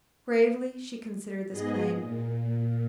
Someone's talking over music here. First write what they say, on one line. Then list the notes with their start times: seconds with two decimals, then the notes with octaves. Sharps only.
Gravely she considered this claim.
1.50 G#2 B3 G#4 D#5
1.95 A#2